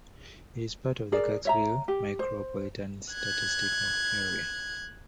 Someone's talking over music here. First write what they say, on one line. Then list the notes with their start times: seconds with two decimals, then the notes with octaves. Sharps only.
It is part of the Kirksville Micropolitan Statistical Area.
1.12 G#4 A#4 D5
1.45 C#5 E5 A#5
1.88 G4
2.19 C5
3.13 F#6 G#6